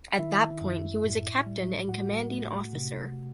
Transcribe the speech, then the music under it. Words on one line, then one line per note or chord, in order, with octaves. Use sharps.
At that point, he was a captain and commanding officer.
D#3 E4 E5
F#2
A2
G3
A2 F#4 F#5
A3
C3